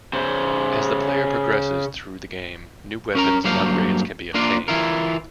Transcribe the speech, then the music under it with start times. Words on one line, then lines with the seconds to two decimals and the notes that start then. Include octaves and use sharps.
As the player progresses through the game new weapons and upgrades can be obtained.
0.13 C#3 C5
3.15 C#4 A#4 A#5
3.44 G2 F#3 A#3 C5 F5
4.34 A#3 D4 F4 A#4
4.68 E3 E4 F4 A#4